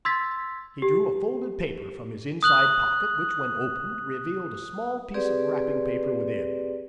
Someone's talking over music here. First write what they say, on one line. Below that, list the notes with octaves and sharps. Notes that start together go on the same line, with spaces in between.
He drew a folded paper from his inside pocket, which, when opened, revealed a small piece of wrapping paper within.
C6 E6 G#6 A6 B6
G4
D#6 F#6 F#7
C4 G4 G#4 B4 D5